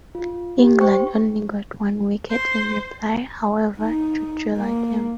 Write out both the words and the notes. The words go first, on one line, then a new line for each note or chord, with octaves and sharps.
England only got one wicket in reply, however, to draw the game.
F4
G4
C5 G5 C#6
C5
D#4
A#3